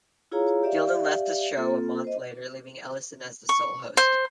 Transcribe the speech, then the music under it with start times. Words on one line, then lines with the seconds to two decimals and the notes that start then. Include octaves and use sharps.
Gilden left the show a month later, leaving Ellison as the sole host.
0.32 E4 F4 G#4 C#5 F5 A#5
0.63 G4 D5 E5 F5
1.57 A#3 C4 F4 A4
2.04 C5 D#5
3.49 C#6
3.97 C5